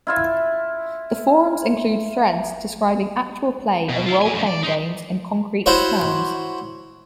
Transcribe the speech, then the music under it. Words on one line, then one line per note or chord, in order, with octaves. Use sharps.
The forums include threads describing actual play of role-playing games in concrete terms.
E4 F4 E5
B2
E4 F4
A#4 G#5
F#2 F3
D5
D#4 C6
E4 F#4 C5 C#5